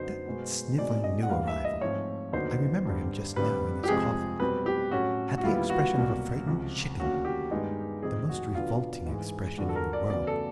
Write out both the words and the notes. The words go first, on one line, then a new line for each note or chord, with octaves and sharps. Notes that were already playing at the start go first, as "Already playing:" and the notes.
That snivelling new arrival--I remember him just now in his coffin--had the expression of a frightened chicken, the most revolting expression in the world!
Already playing: F#2 D3 F#3 B3 D#4 C5
B2 G#3 B3
B2 G#3 C4 D#4 D5
D#5
F#5
G2 E3 G3 A#3 F5
E5
D#5
G#2 F3 A3 C4 F4 C#5
D#2 D3 F#3 B3 D#4 C5
G2 D3 G3
G2 D3 G3 C4 B4
G4
F2 C3 F3 G#3 G#4
B2 G3 C4 B4
G4
A2 F#3 A3 C#4 F#4
F#4
D#2 D3 G3 B3 E4 F4
F#4
C2 B2 F#3 A#3
C#2 C3 F3
D#2 D3 F#3 A#3 C#4 F#4
G4
G2 D#3 G#3 B3 D#4
F2 C3 D#3 G#3 C4 G#4
F#4
D3 F#3 B3 D4 F4
G#2 E3 G#3
G2 D3 F3 F#4
A4
A#4
D5
E2 C#3 F#3 B3 D5
A4